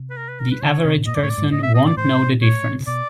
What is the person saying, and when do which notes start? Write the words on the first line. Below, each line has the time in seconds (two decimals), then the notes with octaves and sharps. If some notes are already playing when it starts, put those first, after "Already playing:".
The average person won't know the difference.
Already playing: C3
0.10 B4
0.17 A#4
0.28 B4
0.40 A#4
0.51 B4
0.62 C#3 C#5
0.85 C3
0.98 A2
1.07 A#2 D#5
1.15 G#2 D5
1.22 A2 C#5
1.30 D5
1.38 G#2
1.52 A2 D#5
1.63 E5
1.74 D#5
1.86 D5
1.97 A2 C5
2.42 A2 C#5
2.80 C3
2.87 B2 D5